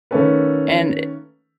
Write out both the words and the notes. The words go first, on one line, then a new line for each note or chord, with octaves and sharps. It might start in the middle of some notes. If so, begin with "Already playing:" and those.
And, eh,
D#3 A3 A#3 C#4 A4 B4